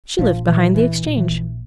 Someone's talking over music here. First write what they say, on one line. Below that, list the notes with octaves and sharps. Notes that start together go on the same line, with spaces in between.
She lived behind the Exchange.
A#1 F3
A#2 E3
A#1 E3
A#2
E3
A#1